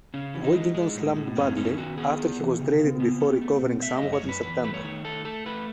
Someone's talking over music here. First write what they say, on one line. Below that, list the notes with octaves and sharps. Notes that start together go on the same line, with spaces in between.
Wigginton slumped badly after he was traded before recovering somewhat in September.
C#3 C#4
E3
D#4
G#3
G#3
A2
A2
F#2 C#4
C#4 D#4
D#3 F#4
B3 G#4
B3
E3
C#3
C#3
B3
C#4
A3
B2
A3 E5
F#2 D#5
C#5
F#2
B4
E2 B4
A3 B4
C#5
D#3
A3 A4
A3 A4
A3 B4